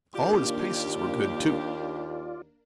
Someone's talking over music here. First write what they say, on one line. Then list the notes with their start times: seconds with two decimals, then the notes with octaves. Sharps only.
All his paces were good too.
0.15 D#2 A#3 D4 F4 G4 A#4 D5